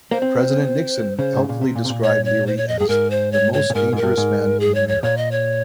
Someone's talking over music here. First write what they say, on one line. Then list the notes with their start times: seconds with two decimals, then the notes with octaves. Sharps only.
President Nixon helpfully described Leary as "the most dangerous man in America".
0.11 A#3 C5
0.22 C4
1.18 C#3 C5
1.37 G#2
1.49 A#2
1.61 C3
1.76 A#2
1.85 C3
1.90 A#2
2.03 C#5
2.25 C#5
2.47 C5
2.57 C#5
2.68 D#5
2.79 G2 G#4
2.89 G#2 A#4
3.10 C5
3.32 C#5
3.53 C#5
3.70 A#2
3.75 G#2 A#4
3.93 G#2 A#4
4.03 G2
4.17 G#2
4.60 G#4
4.75 C#5
4.89 C#5
5.03 A#2 C#5
5.17 D#5
5.31 C#5